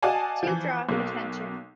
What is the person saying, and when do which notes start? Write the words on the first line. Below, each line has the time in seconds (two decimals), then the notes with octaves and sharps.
To draw attention.
0.02 F#4 D5 D#5 F5 G#5 A5
0.43 E3 F3
0.89 B1 A#3